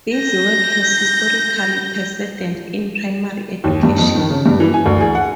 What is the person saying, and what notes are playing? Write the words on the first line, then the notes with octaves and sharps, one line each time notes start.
Busy work has historical precedent in primary education.
G6 A#6
D#2
G2
F2
D#3
C#3
G2
E3
G#5
D2
G#4
F#5